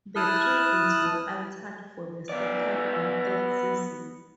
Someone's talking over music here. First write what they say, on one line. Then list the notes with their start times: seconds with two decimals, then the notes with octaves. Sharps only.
The credits were altered for the second and third seasons.
0.16 E4 A5 D#6 F6 F#6
2.29 B3 D5